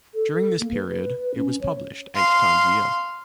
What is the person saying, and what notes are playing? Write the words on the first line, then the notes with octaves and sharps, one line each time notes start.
During this period it was published eight times a year.
A4
A4
A#3
B4
C#4
C#5
F5 C6